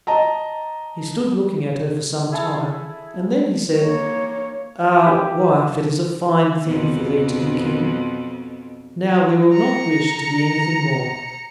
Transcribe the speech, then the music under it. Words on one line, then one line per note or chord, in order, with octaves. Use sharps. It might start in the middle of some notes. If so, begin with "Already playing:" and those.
He stood looking at her for some time, and then he said, "Ah, wife, it is a fine thing for thee to be king; now we will not wish to be anything more."
D#5 A5 A#5
E4 G#4 A4
A#3 C#5
G4
F2 B2
A#5 C#7